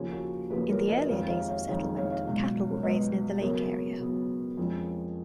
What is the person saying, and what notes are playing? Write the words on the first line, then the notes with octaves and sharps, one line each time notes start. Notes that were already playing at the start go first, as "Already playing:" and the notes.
In the earlier days of settlement, cattle were raised near the lake area.
Already playing: D#2 C#3 F3 A#3 C#4
F#4
D#2 C#3 F3 A#3 C#4 G#4 B4
A#4 C#5
B4 D#5
F2 D#3 G#3 D#4 C#5 F5
C#5 F5
C#5 F5
F2 D#3 G#3 D#4 C#5 F5
C#5 F5
C#5 F5
C#2 B2 F#3
C#2 B2 F#3 B4 D#5
C#3 F#3 B3 A#4 C#5
C#3 F#3 B3
F2 F3 G#3 C#4